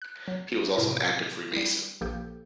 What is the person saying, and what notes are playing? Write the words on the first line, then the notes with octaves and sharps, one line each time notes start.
He was also an active Freemason.
F#6
F#3
A2 C3 E4 A#4 A#6
G3 E4
A#1 F3 A#3 G4 A4 G6